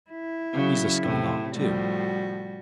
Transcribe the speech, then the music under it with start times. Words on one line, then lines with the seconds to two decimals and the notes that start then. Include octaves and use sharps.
He's a Skylark too.
0.11 E4
0.53 C#3 F#3
1.02 A2 C3
1.55 A2 F3 G3 F#4